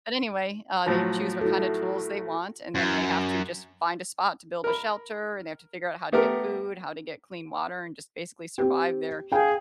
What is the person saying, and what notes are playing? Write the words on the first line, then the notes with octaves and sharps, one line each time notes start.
but anyway, uh, they choose what kinda tools they want and then they have to just find a spot to build a shelter and they have to figure out how to get food, how to get clean water, and just basically survive there,
A2 F3 F#3
E4 F#4 A4
F#2
A#4 B5
A3 B3 G4 A#4
C4 G4
G#4 F5 G5